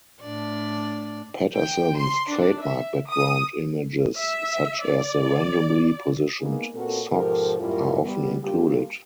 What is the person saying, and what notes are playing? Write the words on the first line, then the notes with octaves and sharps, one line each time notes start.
Paterson's trademark background images, such as the randomly positioned socks, are often included.
A2 D4 D5
G5
C6
D4
E5
D#6
E5
D5
G#3 A#3 B3 D#4 G#4
A#2 B3 C4 F#4 A4 A#4
G#2 B2 F3 G4 A4 A#4
F#2 A2 G3 E4 F4 A#4
G3 B3
G3 A#3 D4 F4 G4